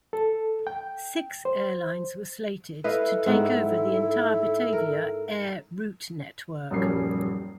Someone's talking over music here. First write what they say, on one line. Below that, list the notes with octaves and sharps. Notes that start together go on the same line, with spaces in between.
Six airlines were slated to take over the entire Batavia Air route network.
A4
G5
C5
E4 A4 B4 D#5 F5
G#2 C4 E4 F#5
A#4
D#1 A#1 F#2 G3 C#4 C7